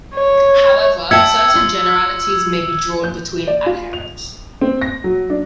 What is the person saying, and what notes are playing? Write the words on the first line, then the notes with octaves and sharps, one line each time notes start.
However, certain generalities may be drawn between adherents.
C#5
E5 G5 A5 E6 G#6 C#7
F4
G6
D5
F4
F7
C4
A#6
F#3
D4